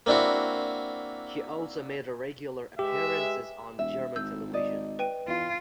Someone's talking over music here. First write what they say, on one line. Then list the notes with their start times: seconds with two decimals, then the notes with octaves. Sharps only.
He also made regular appearances on German television.
0.06 A#3 C4 D4 E4 F#4
2.79 G#3 G4 B4 E5
3.79 E1 E5
4.16 G#1 E6 G6
4.53 D5 D#5
4.99 B4 G5 D#7
5.27 E2 F4